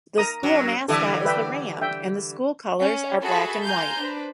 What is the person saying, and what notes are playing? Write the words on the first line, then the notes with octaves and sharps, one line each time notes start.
The school mascot is the ram, and the school colors are black and white.
A#4 A#5 D#6
F#2 F#3
D3 E3 G3 A4 E5
B4 E5 G5
E5 G5
C#4
F#4 G#4 A4 E5 A5 B5
F5 G#5 A#5 C6 G6
D4 B4 C5